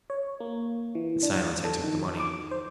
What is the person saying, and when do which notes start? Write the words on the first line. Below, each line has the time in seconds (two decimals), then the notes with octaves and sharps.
In silence I took the money.
0.10 C#5
0.40 A#3
0.95 E3
1.23 D4
1.65 A4
1.84 D#3
2.20 D6
2.51 C5